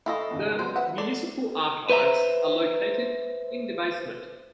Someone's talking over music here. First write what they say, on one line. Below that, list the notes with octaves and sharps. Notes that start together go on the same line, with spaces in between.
The municipal archives are located in the basement.
E4 A4 D#5 F5 C#6
E2 G#2 C#3
F#3 B3 C5
B4 E5 F#5
A4 D5
B4 C5 E5 A#5